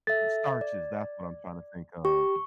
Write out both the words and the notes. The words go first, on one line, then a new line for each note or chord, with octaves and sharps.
starches, that's what I'm trying to think of.
A4 E5 A6
D5
G4 C#6